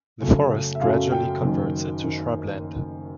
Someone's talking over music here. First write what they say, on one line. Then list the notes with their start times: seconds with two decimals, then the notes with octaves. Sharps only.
The forest gradually converts into shrub land.
0.20 F#2 C#3 F#3 A3
0.75 E5
0.81 F#2 C#3 F#3 A3 F5
1.12 G5
1.42 F#1 F#2 D#3
2.03 D#3